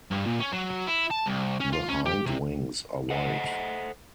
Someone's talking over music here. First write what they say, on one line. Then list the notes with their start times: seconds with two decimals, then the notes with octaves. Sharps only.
The hindwings are white.
0.11 G2
0.26 A#2
0.40 C#4
0.52 F#3
0.87 E4
1.10 A5
1.26 C2
1.60 C#4
1.72 F4
1.89 C#4
2.06 G4
2.26 C3
3.10 A4 C5 D#5 F#5